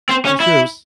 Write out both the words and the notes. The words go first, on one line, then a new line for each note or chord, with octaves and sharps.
For sure, it was
C4
C#4
E4